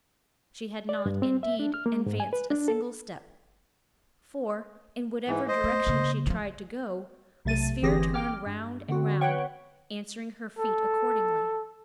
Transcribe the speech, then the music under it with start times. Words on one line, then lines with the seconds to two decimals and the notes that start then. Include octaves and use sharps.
She had not, indeed, advanced a single step; for, in whatever direction she tried to go, the sphere turned round and round, answering her feet accordingly.
0.89 D5
1.06 G2
1.22 C4
1.43 E5
1.59 D4
1.74 F6
1.86 A#3
2.06 G#2
2.20 G#5
2.33 B4
2.50 D4
2.68 A4
5.27 G#2 E3
5.48 C5 D#5
5.64 A3
5.87 C#3 A#3
6.27 E3 F3
7.45 B1 C3 A3 A6 D#7
7.82 G1 E3 C4 G4 G#4 A#6
8.14 G5 D6 F6
8.46 G2
8.89 D3 B3 C4 F#4
9.21 B4 C#5 F#5 G5 C#6
10.59 A4